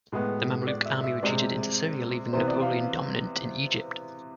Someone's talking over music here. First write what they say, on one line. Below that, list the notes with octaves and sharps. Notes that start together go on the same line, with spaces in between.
The Mameluke army retreated into Syria, leaving Napoleon dominant in Egypt.
A2 G#3 B3
D5
E5
E5
C3 G#3 C4 D5
C3 E3 B3 C5
D5
F5